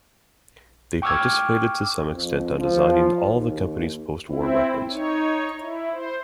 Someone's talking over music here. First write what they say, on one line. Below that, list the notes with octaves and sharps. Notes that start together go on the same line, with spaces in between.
They participated to some extent on designing all the company's post-war weapons.
G5 C#6 D6 E6 F6 G#6
F2
F3
D#2
C4 E4
D#4 C#5
E4
C5